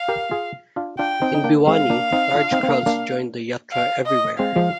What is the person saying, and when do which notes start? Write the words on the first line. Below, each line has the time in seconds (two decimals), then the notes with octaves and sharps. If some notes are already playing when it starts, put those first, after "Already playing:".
In Bhiwani, large crowds joined the Yatra everywhere.
Already playing: F5
0.08 G4 A#4
0.31 F4 G#4
0.76 D4 F4
0.99 D4 F4 G5
1.22 C4 D#4
1.34 D#4
1.44 A#3 D4
1.67 G#3 C4 F5
1.90 A#3 D4
2.12 C4 D#4
2.35 D4 F4
2.52 C4 D#4
2.63 C4
2.69 A#3 D4
2.86 A#3 D4
3.72 F5
4.05 D#5
4.39 G#3 C4 F5
4.56 F3 G#3